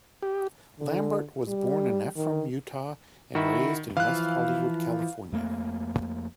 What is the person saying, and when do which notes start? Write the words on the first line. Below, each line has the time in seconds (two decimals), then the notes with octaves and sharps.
Lambert was born in Ephraim, Utah, and raised in West Hollywood, California.
0.22 G4
0.79 D3
1.48 G3
2.16 D#3
3.35 D#3 E4 F#4
3.97 E3 F3 F5 F#6
5.32 F2 A3 A#3